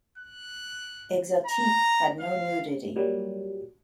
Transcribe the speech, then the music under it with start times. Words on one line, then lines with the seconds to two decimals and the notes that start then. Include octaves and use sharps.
"Exotique" had no nudity.
0.18 F#6
1.46 A#5
2.20 F5
2.96 A#2 F#3 G3